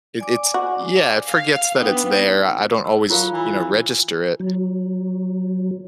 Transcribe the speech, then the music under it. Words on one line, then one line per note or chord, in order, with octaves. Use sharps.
it it's yeah, it forgets that it's there, I don't always, you know, register it.
D5 G#5 D6
F#4
F5
B3 D4 D#4 G5
E6
F#3 F4 A#4 F5
E3
F#3